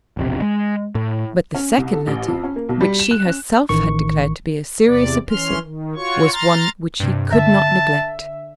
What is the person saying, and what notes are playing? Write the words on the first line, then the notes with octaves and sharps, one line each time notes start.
But the second letter, which she herself had declared to be a serious epistle, was one which he could not neglect.
E1 A#1 C3
G#3
A2
C#4
C2
A4
A1
F2
C#4
A#3
B1
G3
E7
F#6
C#4
A1 D#3 C#6
E2 C3 D5
E3 C#4 C6 F6
D#3
F4 F#4 C#5 C#6
A#5 C6 F6 A6
G2 C3
D3 E5 A5